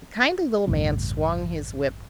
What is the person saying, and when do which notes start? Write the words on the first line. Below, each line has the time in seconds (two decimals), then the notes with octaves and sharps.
The kindly little man swung his whip.
0.67 A1 E2 G2 C#3